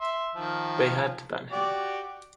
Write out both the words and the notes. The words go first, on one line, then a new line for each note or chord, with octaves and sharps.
They had to ban him.
E5 C6
D#3 F3
F#4 G4 D5